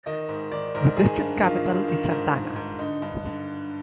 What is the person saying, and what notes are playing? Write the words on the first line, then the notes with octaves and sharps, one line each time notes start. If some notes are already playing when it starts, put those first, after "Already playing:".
The district capital is Santana.
D#3 D#5
G#2
D#3 D5
G#2 A#4
D#3 G#4
G2
D#3 F4
G2
D#3
G#2
D#3
G#2
D3 D#4
G2
D3